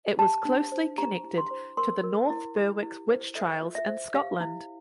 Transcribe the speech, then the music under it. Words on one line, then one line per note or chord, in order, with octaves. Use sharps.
It was closely connected to the North Berwick witch trials in Scotland.
G4 A5
D4
C5
G4 A#5
E4
C6
C5
A#4 C6
A#4
E4
G4
E4
C5
A4 E5
F4
E5
C5
G4 F5
E4